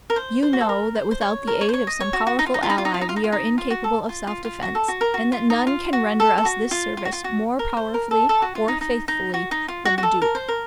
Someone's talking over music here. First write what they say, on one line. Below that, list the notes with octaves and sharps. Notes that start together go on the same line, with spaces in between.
You know, that without the aid of some powerful ally we are incapable of self-defense, and that none can render us this service more powerfully or faithfully than the duke.
A#4
C5
C5
F#4
A4
A#4
C5
C5
C#5
A#4
C#5
C5
C#5
D#5
C#5
F#4
F#4
D#4
F4
D#4
F4
D#4
F4
D#4
F4
D#4
F4
D#4
F4
D#4
F4
F#4
A4
F4
F4
F4
F#4
A4
F#4
A#4
F#4
F4
D#4
F4
F#4
A4
A4
F#4
F4
F4
F#4
F4
F#4
A#4
C5
A#4
A4
A4
F#4
F4
D#4
D#4
D#4
F#4
D#4
F4
F#4
F#4
A4
A#4
C5
A#4